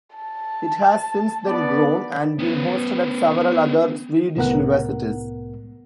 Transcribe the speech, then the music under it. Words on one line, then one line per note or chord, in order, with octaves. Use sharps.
It has since then grown and been hosted at several other Swedish universities.
A5
B3 D5
B3 C#4
C2 A2 B3 A#4 F#5 F#6